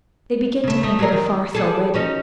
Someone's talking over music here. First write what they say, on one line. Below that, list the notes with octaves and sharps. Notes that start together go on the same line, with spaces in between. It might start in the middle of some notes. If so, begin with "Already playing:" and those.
They begin to think it a farce already.
C#3 A3
A3 D#4 E5
F#3 G#4 A#4
D#3
G3 G#4 A4
C#4 D#4 F#4